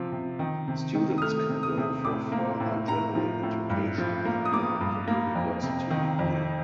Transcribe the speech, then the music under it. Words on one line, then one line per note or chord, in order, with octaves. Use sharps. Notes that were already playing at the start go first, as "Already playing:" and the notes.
Students can go for further general education and earn a university degree.
Already playing: C3 F3
C3
D#3
C3
D#3
D#6
A3 F6
C3
D#6
C3
A2 D6
A#3
A2
A2 A#5
F3
A2
G2
F3
A#3
D#6
A#3 D6
G2
A#3
F2
C3
D#3
F2